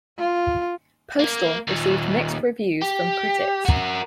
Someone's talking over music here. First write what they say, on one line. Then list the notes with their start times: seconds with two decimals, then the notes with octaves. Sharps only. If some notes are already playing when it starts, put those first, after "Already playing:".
"Postal" received mixed reviews from critics.
0.18 F4
1.19 A#3
1.68 D#2 A#2
2.82 G4
3.65 F#4 A#4